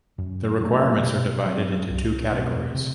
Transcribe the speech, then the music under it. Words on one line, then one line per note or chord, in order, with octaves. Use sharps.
The requirements are divided into two categories.
F#2
F#3 A3 D4
B2
F#3 C4
C2
B2 A3 C4
C3